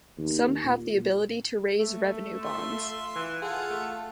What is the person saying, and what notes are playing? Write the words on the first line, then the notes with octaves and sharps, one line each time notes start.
Some have the ability to raise revenue bonds.
D#2
A#2
A3
F4 E5 C6
E3
F4 G#4 A4 F#5
A3